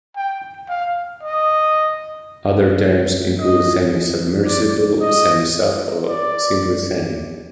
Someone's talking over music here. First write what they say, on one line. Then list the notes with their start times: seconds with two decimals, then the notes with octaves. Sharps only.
Other terms include "semi-submersible", "semi-sub", or simply "semi".
0.16 G5
0.68 F5
1.23 D#5
3.39 D#5
4.46 D5
5.00 D#5
6.08 D5